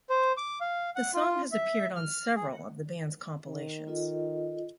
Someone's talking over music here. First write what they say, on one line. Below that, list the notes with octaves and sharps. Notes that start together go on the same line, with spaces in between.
The song has appeared on several of the band's compilations.
C5
D6
F5
F#5
F4
E5
F6
G#4
D#3
F4 A4 D#5